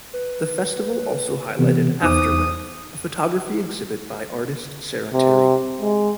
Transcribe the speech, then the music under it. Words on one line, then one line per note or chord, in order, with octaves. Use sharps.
The festival also highlighted "Aftermath," a photography exhibit by artist Sara Terry.
B4
C3 E3 B3
E2 D#4 C5 D6 D#6
C3
G#3